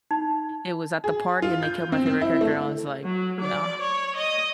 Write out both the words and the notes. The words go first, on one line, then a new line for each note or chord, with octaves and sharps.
it was at the party and they killed my favorite character, and I was like, "Nah."
D#4
G#4
F4
G6
C4
C4
E4
A3
F#3
D5
C#5
D#5